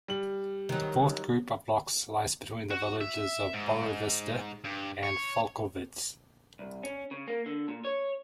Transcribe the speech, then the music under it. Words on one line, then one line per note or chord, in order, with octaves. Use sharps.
The fourth group of rocks lies between the villages of Borovitsa and Falkovets.
G3 F#7
D#3 F#3
F#4
E5
G#2
G2
C#5
C2
C#4
C#3
A#3
D3
A#2
C#5